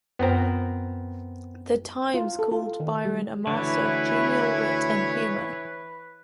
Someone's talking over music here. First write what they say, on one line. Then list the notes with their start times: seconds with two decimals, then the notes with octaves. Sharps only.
"The Times" called Byron a master of "genial wit and humour".
0.19 F#2 B3 C4 A#4 C5
2.14 F4
2.39 A4
2.51 F4
2.80 D#3
3.05 G3
3.47 D2 D3 E3 E4 B4 C#5